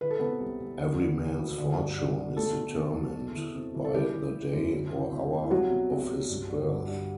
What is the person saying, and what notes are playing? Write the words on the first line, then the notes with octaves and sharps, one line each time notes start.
Every man's fortune is determined by the day or hour of his birth.
E3 B4
A4
C3 B3 B4
C2
C2
D3
D3
D3
D2
D3
G2
D3
D3
B2 A3 A4
B2
B2
B2
E2
E3
C3
E3
A4
E3 G3 G4
E3
E3
F#2
D2
E3
C3
C3
E4
C2 F#3 F#4
B2
C2
C2
G2
D3
G2
G2